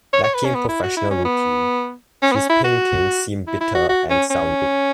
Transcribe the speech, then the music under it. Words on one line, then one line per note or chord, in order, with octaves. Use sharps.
Lacking professional routine his painting seem bitter and sounding.
C#5
C#5
B4
C#4
B3
E4
F#4
E4
C#4
B3
C#4
B3
C#4
E4
F#4
E4
E4
F#4
F#4
C#4
C#4